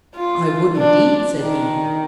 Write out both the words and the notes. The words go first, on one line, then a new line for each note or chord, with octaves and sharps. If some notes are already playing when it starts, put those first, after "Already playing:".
"I would, indeed!" said he.
F4
D4
D#3